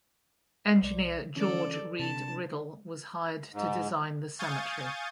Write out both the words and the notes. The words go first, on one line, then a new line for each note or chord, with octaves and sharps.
Engineer George Read Riddle was hired to design the cemetery.
B1 D5
D3 E3 C#4 A4 D5
C3 D4 A5
G#2
F5 G#5 C#6 D#6 G6 A6